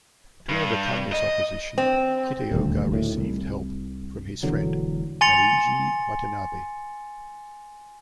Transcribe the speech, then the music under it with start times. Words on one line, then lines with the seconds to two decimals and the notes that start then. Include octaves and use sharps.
To overcome this opposition, Kitaoka received help from his friend, Yaeji Watanabe.
0.49 G2
1.12 D#5
1.78 C4
2.51 D#1 D2
2.93 D2 A2 D#3
3.17 C2
4.43 E1 E2 D3 F#3
5.21 G#5 C6 A6 C#7 F7